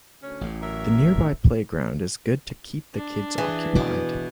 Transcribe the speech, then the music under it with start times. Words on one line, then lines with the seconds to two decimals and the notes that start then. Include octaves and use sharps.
The nearby playground is good to keep the kids occupied.
0.22 D2 C#4
0.41 A1 A2
0.61 F#3 A#4 E5
2.94 D4
3.38 E3 G#4
3.75 B2 D6